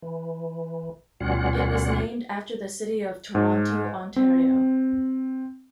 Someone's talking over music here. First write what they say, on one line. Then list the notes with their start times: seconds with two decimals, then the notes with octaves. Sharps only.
It was named after the city of Toronto, Ontario.
0.02 E3
1.20 D2 B2 G3 C#4 F4 F#5
3.35 G#2
4.16 C4